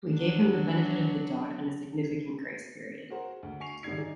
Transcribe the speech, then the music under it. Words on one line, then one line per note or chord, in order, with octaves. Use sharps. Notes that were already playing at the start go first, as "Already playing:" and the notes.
We gave him the benefit of the doubt, and a significant grace period.
F#3 D4
F#4 G#4 A#4 C5
D2
G#5 C#6 C7 F7
G#1 D3 D#3 G3 G#6 C7
D#4 G#4 D5